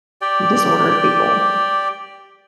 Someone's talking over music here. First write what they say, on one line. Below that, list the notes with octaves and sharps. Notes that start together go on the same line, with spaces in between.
disorder people,
G4 D5 G5